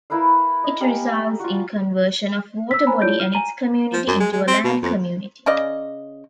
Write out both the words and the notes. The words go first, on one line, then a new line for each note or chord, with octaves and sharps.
It results in conversion of water body and its community into a land community.
E4 A#4 B4 F5
D#5
G4 A#4 F5 G#5
F4 F#4
E6 B6
C5 G#5 A#5 B5
E4 F4 C#5 D5 G6 D7
F6
G#5 A#5 D#7
F3
F#2
G#3
G#3
C4
B2
F2
C#3 C#4 D5 D#5